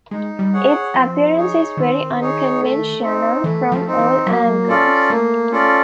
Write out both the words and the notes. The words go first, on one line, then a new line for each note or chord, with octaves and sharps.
Its appearance is very unconventional from all angles.
G#3 D#4
G3
G#4 C#5 F#5
F3 C4
D#4 G#4 C#5
D#3 C4
D#4 G#4 C#5
A3
C4 D#4
E3 A3
F3
C4 D#4
E3
F#3 A#3
C#4 F4 A4 D5
A3 A#3
C#4 F4 A4 D5